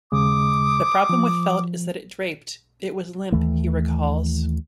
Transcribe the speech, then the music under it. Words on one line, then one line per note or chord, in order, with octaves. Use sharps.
"The problem with felt is that it draped, it was limp," he recalls.
D#2 C#3 G#3 D6 D#6
F3
D#2 E3 A3